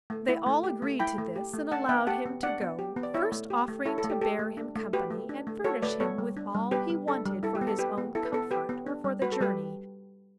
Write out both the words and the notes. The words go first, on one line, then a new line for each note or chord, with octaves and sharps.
They all agreed to this, and allowed him to go, first offering to bear him company and furnish him with all he wanted for his own comfort or for the journey.
A3
E4
A3
G4
A3
E4 G5 B5
A3
G4
A3
D4 F#5 A5
B3 E5 G5
G4 F#5 A5
B3
D4 D5 F#5
B3
G4
B3
D5
E4 C#5 E5
A3
G4
A3
E4 A4 C#5
A4
A3
G4
G4 A4
A3
D4
A3
F#4 G4 B4
A3
D4
A3
F#4 A4 C#5
A3 B4 D5
B3 A4 C#5
G3
D4
G3
B3 G4 B4
G3
D4 A4
G3
E4 A4
G4
B3
A4
G4 B4
B3
E4 A4
B4
B3 A4
G4 B4
B3
D4
G3
F#4 B4
A4
G3 G4 B4